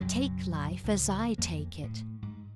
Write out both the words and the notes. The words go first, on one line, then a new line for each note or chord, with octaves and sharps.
Take life as I take it.
F#1 B1 F#2 F#3
C#2 A2 F3
F2 F3 A#3
A2
G#2